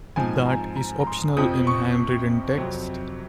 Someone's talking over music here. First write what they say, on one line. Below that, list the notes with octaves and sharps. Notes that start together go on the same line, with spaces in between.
That is optional in handwritten text.
G#2 F3 C4 G#5
A#5
A#5
A#5
C6
F2 C3 F3 C4 D#6
C#6
F2 C3 F#3 C4